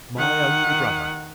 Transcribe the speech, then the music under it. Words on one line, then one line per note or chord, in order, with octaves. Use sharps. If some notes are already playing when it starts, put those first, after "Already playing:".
My only brother!
D#3 F#5